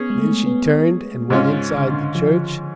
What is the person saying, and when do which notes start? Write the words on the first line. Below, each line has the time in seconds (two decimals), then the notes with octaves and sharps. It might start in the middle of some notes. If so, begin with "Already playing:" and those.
Then she turned and went inside the church.
Already playing: B3 C#4 G#4
0.10 G#3
0.18 A3
0.46 B3
1.30 G#2 C#3 G#3 C#4 F4
1.73 D3
1.82 C#3
1.92 D3
2.15 F3